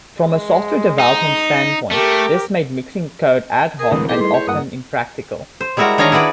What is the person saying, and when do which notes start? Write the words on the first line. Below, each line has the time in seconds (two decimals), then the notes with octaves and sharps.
From a software development standpoint, this made mixing code ad hoc and often impractical.
0.24 G#3
1.00 D#4
1.91 A3 G4 A#4
3.79 G#4 A#4
3.91 C2 A2 D3 E3 G#3 D#6
4.09 A3 B3 D#4 E4 G4 G#4 B4 C5
4.20 G3 C6
4.34 C5 C#5
4.47 G2 A#3 F#5 D#6
5.61 C5
5.77 G3 G#3 E4 F#4 A#4 A#5
5.98 D#3 D4 C#5 D#5 F5 A#5
6.12 E4 F#4 G#4 B4 D5